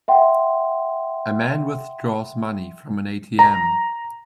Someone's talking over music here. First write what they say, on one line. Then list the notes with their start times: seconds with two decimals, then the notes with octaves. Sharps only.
A man withdraws money from an ATM.
0.08 E5 F#5 G5 C6
3.39 A#5